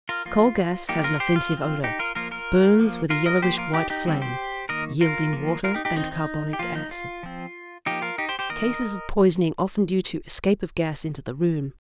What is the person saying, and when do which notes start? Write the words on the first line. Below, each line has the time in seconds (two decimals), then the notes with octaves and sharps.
Coal gas has an offensive odour, burns with a yellowish-white flame, yielding water and carbonic acid. Cases of poisoning often due to escape of gas into the room.
0.09 F4 A#4
0.25 F3 A#3 F4
0.89 F3 A#3 D#4 G4
1.04 F4 A#4
1.20 G4 C5
1.36 F4
1.52 F3
1.57 C4
1.84 D#4 G4
1.99 F4 A#4
2.15 F3 A#3 F4 A#4
2.31 F4 A#4
2.80 F3 A#3
3.10 F4 A#4
3.26 A#4 D#5
3.42 F3 A#3 G4 C5
3.58 F4 A#4
3.74 D#4 G4
3.90 D#4 G4
4.06 D#3 G3 C4
4.22 G4 C5
4.69 D#3 A#3 A#4 D#5
5.01 F4 A#4
5.33 F3 A#3
5.64 F4 A#4
5.74 D#4 G4
5.85 D#4 G4
5.96 D#3 C4 D#4
6.12 D#4
6.53 G4
6.59 F3 A#3 F4
6.75 D#4
6.91 F4
7.23 F3 C4
7.86 F3 A#3 D#4 G4
8.02 F4 A#4
8.18 D#4 G4
8.29 G4 C5
8.39 G4 C5
8.49 D#3 A#3 A#4 D#5